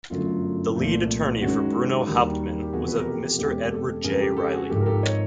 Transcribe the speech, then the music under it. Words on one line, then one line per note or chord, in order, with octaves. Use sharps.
The lead attorney for Bruno Hauptmann was a Mr. Edward J. Reilly.
G1 F#2 D3 F#3 A3 F4
C2 A#2 F3 A3
F#2 D#3 G#3 C#4 F#4
D#2 D#3 G3 A#3
G4
E1 E2 C3 F3 F#4 G#4
B4
A#4
G4 A4
F#1 E2 B2 G#3 C4 G4 A4
G4 A4
F2 C#3 F3 G#3 G#4 A#4
G4 A4
G4 A4
F#4 G#4
G#1 G#2 F3 G4 A4
A#4
G4 A4
C#5 D#5